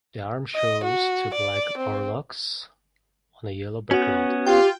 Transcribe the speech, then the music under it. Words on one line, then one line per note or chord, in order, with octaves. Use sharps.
The arms shows two black oarlocks on a yellow background.
D#5
F#4
D5
C4
B3 C#4 F#4
F4 G4 G5